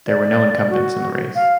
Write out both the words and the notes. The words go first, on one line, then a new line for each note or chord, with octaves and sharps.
There were no incumbents in the race.
D5
F#4
F5